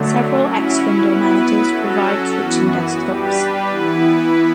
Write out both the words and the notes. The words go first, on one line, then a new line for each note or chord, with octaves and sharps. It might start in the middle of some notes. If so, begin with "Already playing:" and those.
Several X window managers provide switching desktops.
Already playing: D3 F#3 A3
F#3 C#4 E4
F#3 B3 E4 B4
F#3 C#4 F#4 A4
F#2 E3 B3 F#4
G3 D4 G4 B4
E3 B3 E4 B4